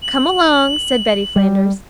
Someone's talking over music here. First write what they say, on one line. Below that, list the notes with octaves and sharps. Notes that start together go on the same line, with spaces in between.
"Come along," said Betty Flanders.
F#7
G3